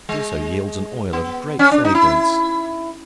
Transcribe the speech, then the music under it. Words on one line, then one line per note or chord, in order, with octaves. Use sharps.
It also yields an oil of great fragrance.
G#3
B3
C#4
D4
D#4
E4